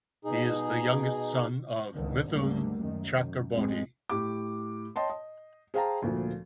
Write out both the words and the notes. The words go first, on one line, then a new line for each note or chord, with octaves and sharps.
He is the youngest son of Mithun Chakraborty.
B2 D#4 G#4
G#1 C#2 D3 D#3 F3
D2 G#2 D3 G3 A3 A#3
F#2 D#3
F#2
A1 F#2 B2 G#3 C4
A2 G4 D6
C#5 D#5 G5 A5 C6
D#5
G#4 C5 F5 G5 A5 A#5
D2 A#2 F3